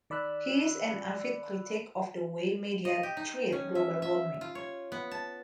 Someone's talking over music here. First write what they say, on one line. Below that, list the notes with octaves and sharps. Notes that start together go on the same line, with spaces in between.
He is an avid critic of the way media treat global warming.
D#3 D5 B5 E6 F#6
D#5
G4
D#4
C#4
E5
E5
F4
C#5
B3
A5